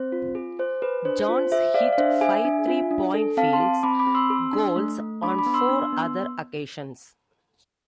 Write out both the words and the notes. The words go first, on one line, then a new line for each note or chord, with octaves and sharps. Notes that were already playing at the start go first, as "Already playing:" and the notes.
Jones hit five three-point field goals on four other occasions.
Already playing: C4 C5
F4
G#4
G#4 C5
G#4 B4
D4 C5
C5
F4
C5
G#4 C5 E5
G#4 D5 F5
F5
D4 C5 E5
G#4 E5 G#5
D4
F4
D4
A4
C4 F5 A5
A5 C6
G#4
C4 B5 D6
B5 D6
C4
C6 E6
G#4
D4
A3
A3
D4 B5 D6
B5 D6
B3
C6 E6
D4
B3